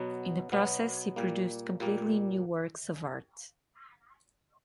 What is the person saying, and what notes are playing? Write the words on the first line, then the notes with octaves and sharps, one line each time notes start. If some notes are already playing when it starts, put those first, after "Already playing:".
In the process he produced completely new works of art.
Already playing: B2 F#3 B3
B2 F#3 B3
A#2 G3 A#3
A#2 G3 A#3